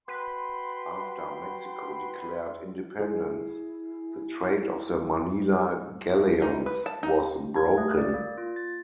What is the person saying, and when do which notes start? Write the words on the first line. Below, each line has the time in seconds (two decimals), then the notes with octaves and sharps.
After Mexico declared independence, the trade of the Manila Galleons was broken.
0.08 F#4 B4 G5 C6
2.99 E4 G#4
6.42 D#4
6.66 B4
6.86 A5
7.03 D#4
7.56 G#6
7.78 A3
7.98 D5
8.14 A#3
8.38 F4
8.56 A6